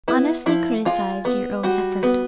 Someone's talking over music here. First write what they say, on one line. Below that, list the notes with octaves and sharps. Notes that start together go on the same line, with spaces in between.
Honestly criticise your own effort.
B3 E4
F3 E4
G#3 F4
B3
G3 F#4
B3